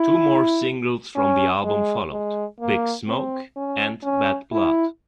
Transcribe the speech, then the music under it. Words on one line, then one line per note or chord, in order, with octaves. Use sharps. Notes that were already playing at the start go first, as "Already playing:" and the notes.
Two more singles from the album followed: "Big Smoke" and "Bad Blood".
Already playing: E4
C#4
G#3
G#3
A#3
C4
C#4
C#4
E4